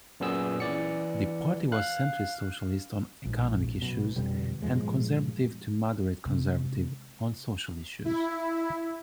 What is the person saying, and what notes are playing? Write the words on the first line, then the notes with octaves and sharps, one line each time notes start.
The party was centrist-socialist on economic issues and conservative to moderate-conservative on social issues.
F#2 A#2 B3 C#4 G#4 E6
E3 D5 C#7
F5 F#6
A#1 G#2
F#2 B2
F2 B2 D3 G3
G2 A#2 F3 G#3
C3 G#3
E4